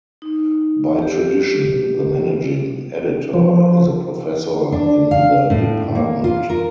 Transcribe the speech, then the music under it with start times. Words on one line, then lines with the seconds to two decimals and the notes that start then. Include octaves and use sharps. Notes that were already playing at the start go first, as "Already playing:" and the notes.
By tradition, the managing editor is a professor in the department.
0.22 D#4
1.02 G4
3.34 F3
4.72 D4
5.11 F5
5.50 A2
5.95 A#3
6.24 F4
6.50 A#4